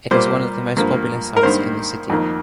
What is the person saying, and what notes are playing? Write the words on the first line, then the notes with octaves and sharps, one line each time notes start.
It is one of the most popular sites in the city.
A#2 G3 A#3 C5
G2 F3 A#3
A#4
G2 D#3 A#3 C5
F2 D#3 A#3